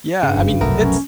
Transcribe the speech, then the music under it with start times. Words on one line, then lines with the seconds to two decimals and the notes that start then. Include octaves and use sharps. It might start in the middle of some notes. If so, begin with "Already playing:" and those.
Yeah, I mean, it's
0.23 G2 C#3
0.36 F#1
0.61 F1 B1 F#3 A3 B3 A#4
0.82 C#4